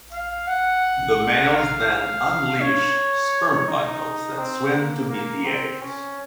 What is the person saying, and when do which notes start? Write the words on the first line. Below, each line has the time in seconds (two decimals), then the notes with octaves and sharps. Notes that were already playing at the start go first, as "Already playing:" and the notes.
The males then unleash sperm bundles that swim to meet the eggs.
0.12 F5
0.47 F#5
1.54 F5
2.61 C#5
3.67 D#4
4.38 C4
4.74 A#3
5.09 A#3
5.45 C4
5.81 C#4